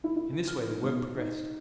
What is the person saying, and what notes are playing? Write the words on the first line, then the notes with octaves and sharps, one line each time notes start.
In this way the work progressed.
E4
E4
F6
D#4
B2
D#4